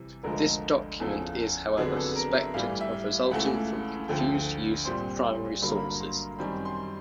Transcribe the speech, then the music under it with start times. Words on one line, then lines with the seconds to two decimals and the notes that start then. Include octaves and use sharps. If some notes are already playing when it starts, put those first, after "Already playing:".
This document is however suspected of resulting from confused use of primary sources.
Already playing: C3 E3 G3
0.23 D2 D3 F3 G#3 A#4
1.00 E2 C#3 F3 A4
1.77 F2 D3 F#3 B3 D4 G#4
1.96 A4
2.16 A#4
2.35 E5
2.54 A2 E3 G3 F5
2.81 E5
3.31 C#2 C#3 E3 A3 F#5
4.08 D2 D3 F3 G5
4.85 A#2 G3 C4 C6
5.62 G2 D3 F#3 A#3 B5
5.70 A#5
5.79 B5
6.01 C6
6.39 F#2 D#3 G3 C4 B5
6.65 C6